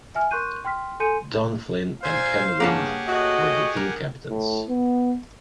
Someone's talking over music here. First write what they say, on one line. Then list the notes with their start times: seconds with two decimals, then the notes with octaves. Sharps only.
Don Flynn and Ken Wind were the team captains.
0.15 E5 G#5 F6
0.31 A#4 C6 C#6 F#6 G6 D#7
0.65 G5 C6 F6 B6
1.00 A4 G#5 C6 G6 C#7 D#7
2.03 A#2 C5 E5 F5 G#5
2.60 G2 C#3 A#3 C#4 G4 G#4 F#5 A5
3.08 A2 F#4 D#5
3.77 A#4
4.30 A2
4.69 B3